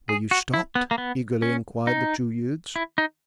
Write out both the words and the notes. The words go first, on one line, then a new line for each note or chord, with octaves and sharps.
"Were you stopped?" eagerly inquired the two youths.
G#4
F#4
E4
B3
A#3
B3
C#4
D#4
E4
D#4